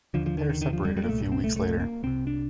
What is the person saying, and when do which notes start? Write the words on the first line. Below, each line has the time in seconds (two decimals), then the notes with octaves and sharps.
The pair separated a few weeks later.
0.14 D#2 D3 F3
0.26 F3
0.38 D#3
0.49 D#3
0.61 D#3
0.73 F3
0.85 G3
0.97 G3
1.04 A#3
1.08 C2 A#2 A3
1.20 G3
1.32 C4
1.44 A3
1.56 A3
1.80 A#3
2.03 C2 C3 C4
2.27 D4